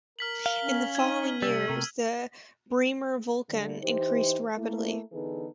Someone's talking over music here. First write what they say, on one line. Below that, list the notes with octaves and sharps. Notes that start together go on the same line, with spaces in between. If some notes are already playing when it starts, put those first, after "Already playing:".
In the following years the Bremer Vulkan increased rapidly.
A#4 F6 B6 F#7
F5 G7
C#4
D#4 G#6 D#7
C3 G3 E6
C3 A3 A#4
D3 G3 A3
E3 D#4 G4 C5
A3 A#3 E4
D3 E3 B3 D#4 G#4 A4